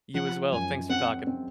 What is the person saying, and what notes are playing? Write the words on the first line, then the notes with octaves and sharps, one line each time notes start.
You as well, thanks for talking.
F3 F#5
F#2 G#5
C4 F#5
C4